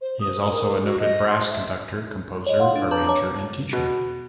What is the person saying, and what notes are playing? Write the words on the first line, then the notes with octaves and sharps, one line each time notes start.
He is also a noted brass conductor, composer, arranger and teacher.
C5
D#6
A#4
F#4
D#5
C6
E5
C#5 D#5
F5 F#5 C6
D4
B4 A5 A#5 D6 G6
C#5 A5 A#5 D6
B2